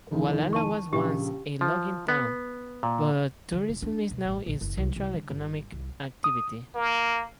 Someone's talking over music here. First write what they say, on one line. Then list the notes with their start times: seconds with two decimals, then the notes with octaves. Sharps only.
Gualala was once a logging town, but tourism is now its central economic activity.
0.11 F1 D#3 E4
0.53 A5 C#6
0.93 A#1 C#3 G4
1.61 F3
2.08 B3
2.83 A#2
3.53 D3
3.68 E1
3.82 D4
4.11 B2
4.25 A1
4.46 A#1
4.61 F#1
4.77 C2
4.96 C2
5.14 D3
5.30 G1
5.72 C2
6.24 D#6
6.75 A#3